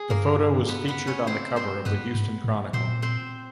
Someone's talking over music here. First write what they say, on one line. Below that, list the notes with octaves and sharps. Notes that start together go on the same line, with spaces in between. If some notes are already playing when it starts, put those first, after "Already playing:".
The photo was featured on the cover of the "Houston Chronicle".
Already playing: G#4
G2 A#3 A#4
B3 B4
B3 B4
C#4 C#5
C4 C5
C4 C5
G2 B3 B4
G#2
A2
A#2 C4 C5
C4 C5